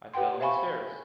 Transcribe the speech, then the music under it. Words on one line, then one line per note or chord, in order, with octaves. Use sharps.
I fell in the stairs.
G4 B4 F#5 G5 C6
C5 E5 F5 G#5 B5 C#6